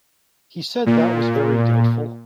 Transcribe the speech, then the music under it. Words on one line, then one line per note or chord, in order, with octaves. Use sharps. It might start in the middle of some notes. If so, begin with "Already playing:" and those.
He said that was very doubtful.
A#2